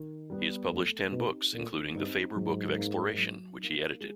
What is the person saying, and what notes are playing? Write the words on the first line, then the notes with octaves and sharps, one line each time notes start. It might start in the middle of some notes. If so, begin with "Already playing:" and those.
He has published ten books, including the "Faber Book of Exploration", which he edited.
Already playing: D#3
G3 B3
F2 A3
B2 C4 D#4 G4
A#2 A3
G2 C4 D#4 G4
G#2 F#3
A#3 D#4
F#3
A#3 D#4
G#3